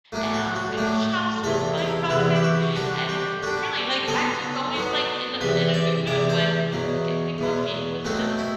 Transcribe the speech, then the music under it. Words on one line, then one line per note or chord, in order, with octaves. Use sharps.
and I'm like, "I just wanna buy coffee," and really, like, I'm just always, like, in a in a good mood when I get my coffee. It was just
A2 F#3 A3 D4
F#4
F#4
A2 F#3 A3 D4
E2 C3 E3 A4
E4
E2 C3 E3 F#4
G4
F#4
D3 G3 D4 F#4
G4
D3 G3 D4 F#4
D3 F#3 B3 A4
D3 F#3 B3
E2 C3 E3 B4
D5
E2 C3 E3 D5
C5
E2 B2 F#3
E2 B2 F#3
B2 F#3 A3 C4 F#4
E4